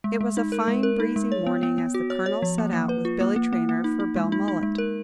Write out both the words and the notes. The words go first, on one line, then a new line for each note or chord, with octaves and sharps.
It was a fine breezy morning as the Colonel set out with Billy Traynor for Belmullet.
G#3
G#3
D#4
A#4
G#3
A#4
D#4
G#3
C#5
B3
B3
B3
F#4
C#5
C#5
F3
A#3
A#3
B4
F4
A#3
A#3
A#3
A#3
D#4
D#4
G#3
D#4
D#4
G#3
A#4